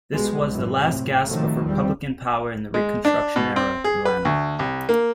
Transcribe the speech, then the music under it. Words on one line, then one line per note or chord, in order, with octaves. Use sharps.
This was the last-gasp of Republican power in Reconstruction-era Atlanta.
B1 B2 G3 G#3
F#2 A2 E3
A2 C3
C3 D#3 F3 F#3 A3
E2 G3 C4
G#3
D4
B2
C4
G#4
B4
D2
C2
A#3